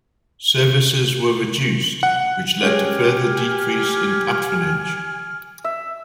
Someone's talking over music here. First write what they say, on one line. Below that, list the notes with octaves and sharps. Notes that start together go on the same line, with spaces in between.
Services were reduced, which led to further decrease in patronage.
F#5
G#3 C#4 G4 G#5 F6
E5